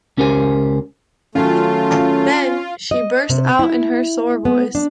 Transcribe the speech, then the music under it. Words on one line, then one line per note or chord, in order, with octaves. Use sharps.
Then, she burst out in her sore voice.
C#2 C#4 G4 A#4 C5 G#5
D#3 F#3 A3 C#4 F4
D#5
C3
E4
B3
D4